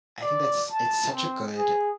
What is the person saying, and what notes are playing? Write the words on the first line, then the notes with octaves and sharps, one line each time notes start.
I think that's It's such a good
D5
A5
C4
G#4